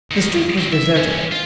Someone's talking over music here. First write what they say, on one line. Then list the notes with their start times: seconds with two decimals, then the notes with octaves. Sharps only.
The street was deserted.
0.11 E2 D#3
0.58 F#3 C4
0.73 E5
0.96 G2 C#4
1.32 F4